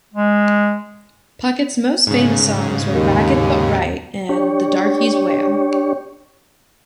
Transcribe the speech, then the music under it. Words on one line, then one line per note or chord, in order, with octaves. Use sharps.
Puckett's most famous songs were "Ragged but Right" and "The Darky's Wail".
G#3
G#2 C#3
D#2
D4 G4 C#5